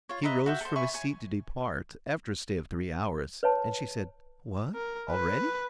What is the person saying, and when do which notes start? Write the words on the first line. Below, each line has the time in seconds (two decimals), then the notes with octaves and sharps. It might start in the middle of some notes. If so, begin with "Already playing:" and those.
He rose from his seat to depart, after a stay of three hours, and she said: "What, already?"
0.09 F4 C#5
0.23 B4 D#5 E5 A#5
0.46 F#4 E5 G5
0.61 A4 C5
0.76 E5 G#5 B5 C#6
0.94 C#5 G#5
3.43 B4 C#5 E5 A5
4.75 A#4
5.11 B4